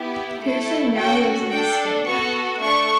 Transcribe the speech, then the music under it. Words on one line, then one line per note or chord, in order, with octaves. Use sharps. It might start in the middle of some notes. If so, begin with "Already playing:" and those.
Pearson now lives in Spain.
Already playing: B3 E4 G4
A3 E4 A4
C#4 F#4 A4 G5
D4 A4 G5
B3 F#4 A4 C#6
A3 D4 A4 C#6